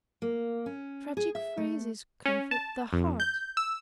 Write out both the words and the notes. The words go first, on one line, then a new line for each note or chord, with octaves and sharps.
Tragic phrases comfort the heart....
A#3
C#4
G#4
E5
A3
C#4
A5
F2
G6
E6